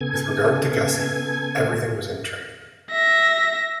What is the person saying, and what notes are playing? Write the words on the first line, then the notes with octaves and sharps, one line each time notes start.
With regard to Gussie, everything was in train.
C#3 B3 A4 G#5 G#6
E5 A#6